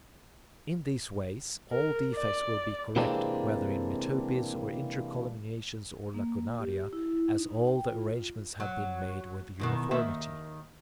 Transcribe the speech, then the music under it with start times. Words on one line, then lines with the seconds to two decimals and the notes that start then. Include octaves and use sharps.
In these ways all defects will be corrected, whether in metopes or intercolumniations or lacunaria, as all the arrangements have been made with uniformity.
1.72 A#4
2.15 D5
2.96 C3 E3 G#3 A#3 C4 D4
6.14 A#3
6.60 G4
6.93 E4
7.36 D#4
7.67 G5
7.90 F4
8.60 F#3
9.60 E2 B2 D#3
9.91 D#2 D#3 E5